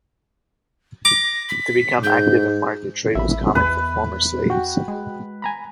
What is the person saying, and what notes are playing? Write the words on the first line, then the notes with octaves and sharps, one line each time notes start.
To become active in market trade was common for former slaves.
D6 A#6
B6
G#2 G6
A1 E5 B5
E2 B4
F#4 G5
G#3
G#5 A#5 B5